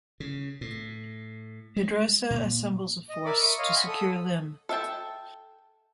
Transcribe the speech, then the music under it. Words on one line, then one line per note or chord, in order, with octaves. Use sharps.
Pedrosa assembles a force to secure Lim.
C#3
A2
G#3
A#2
D#5
A#4 D5 E5 B5 D6
C#6 D#6
C#5 D#5 F5 C6
F#5 G#5 B5
A4 D#6
A4 E5 F5 G5 A5